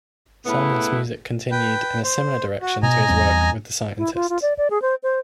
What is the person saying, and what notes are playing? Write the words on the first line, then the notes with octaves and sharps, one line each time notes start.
Salmon's music continued in a similar direction to his work with the Scientists.
A2 C#3 B3 E4 B4
B4 G5
C5
F#4
B2 D#5 G#5 A#5
E2 G3 C4
E4
F4
F4
D5
D5
G#4
C5
C5